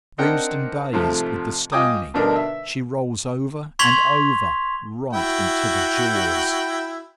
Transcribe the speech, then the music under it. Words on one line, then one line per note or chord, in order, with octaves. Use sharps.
Bruised and dazed with the stoning, she rolls over and over, right into the jaws.
C4 D4 D#4 A#4 F#5 G5
G#2 C3 F3 A3
F4 D#5 G5 G#5 D6 D#6
G2 B2 D3 D4 D#4 A#4
E5
C6 C#6 G#6 B6 F7 G7
E4 F#4 G5